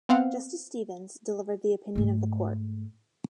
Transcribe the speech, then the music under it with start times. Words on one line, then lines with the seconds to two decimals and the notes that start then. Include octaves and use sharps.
Justice Stevens delivered the opinion of the Court.
0.09 B3 C4 F5 F#5
1.95 G#2 A3